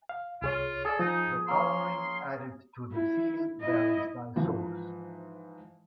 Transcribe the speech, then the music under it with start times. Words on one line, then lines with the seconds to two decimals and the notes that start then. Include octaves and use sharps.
The coloring added to the seal varies by source.
0.09 F5
0.42 C2 F4 G#4 C#5
0.85 G#4 A4 D5 A5
0.99 F3 D#4
1.48 A#3 C#4 C6
2.92 E4
3.62 E4 D#5
4.36 G#2 E3 F3